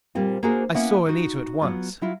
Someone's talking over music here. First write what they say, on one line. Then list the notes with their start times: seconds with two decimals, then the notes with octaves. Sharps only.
I saw Anita at once.
0.15 A#2 G3 A#3 C4 F4
0.43 A#3 D4 F#4 G#4 A#4 C5
0.74 A#3 B3 C#4 E4 E5 F#5
1.06 D#4 F#4
1.61 F#3 B3 F4
2.01 F#3 E4 F4